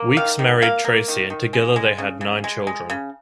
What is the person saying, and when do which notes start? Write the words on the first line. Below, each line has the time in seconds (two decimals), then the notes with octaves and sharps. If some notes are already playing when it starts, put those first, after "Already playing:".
Weeks married Tracy and together they had nine children.
Already playing: A#3
0.17 D#3 F5
0.39 D#3
0.62 A#3 F5
0.85 A#3
1.08 D#3
1.30 D#3
1.53 G#3
1.76 G#3
1.98 C#3
2.21 C#3
2.44 G#3
2.67 G#3
2.90 C#3